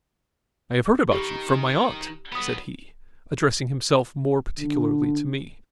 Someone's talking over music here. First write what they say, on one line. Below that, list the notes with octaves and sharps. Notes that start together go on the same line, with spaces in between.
"I have heard about you from my aunt," said he, addressing himself more particularly to me.
D#3 G4 B5
F#3 B3 B5 D#6
D3